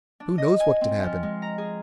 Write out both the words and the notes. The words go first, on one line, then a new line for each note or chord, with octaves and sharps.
Who knows what could happen?
D4
D#5
G#5
C4
F3
G#3
A#5
G#4